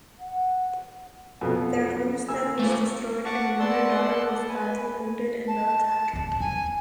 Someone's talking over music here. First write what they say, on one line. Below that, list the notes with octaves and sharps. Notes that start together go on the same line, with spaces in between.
Their homestead was destroyed and another daughter was badly wounded in the attack.
F#5
F2 B2 F#3
A#3 G#5 E6
A3 F4
F#5 A5 C#6 D6
B3 D5 F#5 A5 C6 E6
B4 G#5
A5
D1 D2
E2 G#5